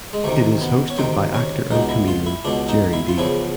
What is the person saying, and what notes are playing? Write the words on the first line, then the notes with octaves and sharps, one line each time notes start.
It is hosted by actor and comedian Gerry Dee.
G#3
D2 C3 D#3 A3
B3
C#4
D2 C3 D#3 C4
C#4
C#2 B2 D#4
E4
F4
E4
C#2 B2 D4
D#4
E4
F4
E2 C#3 F3 E4